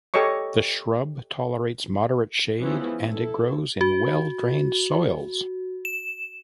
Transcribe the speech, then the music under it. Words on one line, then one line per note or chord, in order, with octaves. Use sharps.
The shrub tolerates moderate shade and it grows in well drained soils.
G4 A4 C#5 D#5 C#6
E3 F3 G#3 B3 C#4
E4 A4
F#4
E7